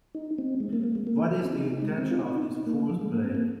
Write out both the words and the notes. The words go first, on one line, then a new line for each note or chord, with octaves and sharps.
What is the intention of this fool's play?
D#4
C4
G#3
A#3
A#3
G#3
A#3
C4
D#4
D#4
G#3
C4
F4
D#4
D#4
A#3
F3
G#3
A#3
C4
A#3